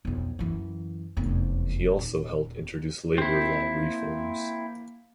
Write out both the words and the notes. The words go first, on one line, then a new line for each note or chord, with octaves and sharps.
He also helped introduce labor law reforms.
B1 F2
F#2 E3
F1 E2
D#1
A#3 C4 E4